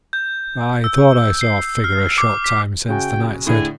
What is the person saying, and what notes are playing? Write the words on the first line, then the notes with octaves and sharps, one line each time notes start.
"I thought I saw a figure a short time since," the knight said.
G6
E6
C7
F6
D6
B6
C#3 F#4 G5 G#5
A2 D3 G#4